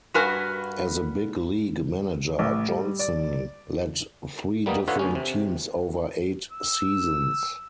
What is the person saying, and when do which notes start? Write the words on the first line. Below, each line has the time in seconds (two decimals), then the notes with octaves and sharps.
As a big-league manager, Johnson led three different teams over eight seasons.
0.14 G2 F#4 A#4 B4 G#5
2.39 A1
2.68 G3
2.99 D5
4.66 G3 A#3 B3 D#4
4.88 D3 B3 F4 C#5 E5 F#5
4.99 D2 C#4
5.15 C3
6.52 E6